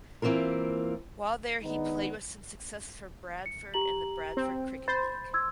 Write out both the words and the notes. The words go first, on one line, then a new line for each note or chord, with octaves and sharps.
While there he played with some success for Bradford in the Bradford Cricket League.
E3 A#3 C4 F4 A#4
D#3 G#3 B3 D4 D#4
C#7
G4 A#5 F#7
C4
C5 B5 G6 A6
C6 E6 G#6